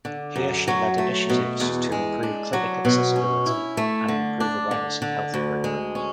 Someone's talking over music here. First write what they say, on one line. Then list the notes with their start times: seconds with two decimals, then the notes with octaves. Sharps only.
Here she led initiatives to improve clinic accessibility and improve awareness of health programmes.
0.05 D3
0.36 F#2
0.68 F#3
0.98 A3
1.30 B2
1.60 E2
1.92 G#3
2.23 D4
2.53 F#3
2.85 B2
3.16 C#4
3.46 E4
3.77 A3
4.08 D3
4.40 D4
4.71 D3
5.02 D3
5.34 D2
5.64 G#3
5.95 C#4